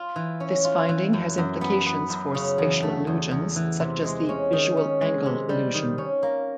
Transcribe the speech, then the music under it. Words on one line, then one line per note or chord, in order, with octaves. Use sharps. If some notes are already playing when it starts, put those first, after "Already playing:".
This finding has implications for spatial illusions such as the visual angle illusion.
Already playing: F4
E3
C#4
F4
E3
F#2
F#2
B3
B3
F#2
C#3
E2
A3
E2
E2
E3
C3
G#3
C#4
D#3
C#4
G#3
C3
G3
D#3
C#4
A#3